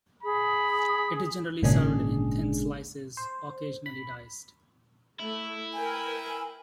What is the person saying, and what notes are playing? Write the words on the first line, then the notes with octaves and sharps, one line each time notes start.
It is generally served in thin slices, occasionally diced.
G#4 B5
G#1 A#2 C#3 G#3 D4 G#4
C5
B5
A3 E4
A#4 B4 G5 G#5